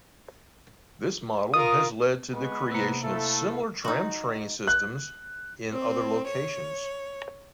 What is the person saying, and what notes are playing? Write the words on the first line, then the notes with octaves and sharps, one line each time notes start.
This model has led to the creation of similar tram-train systems in other locations.
F4 A#4 D#6
G#3 B3 B4 C#6
C3 A#3
A3 E4 A4 F5
D#4 F#4
F#6
C4
C#5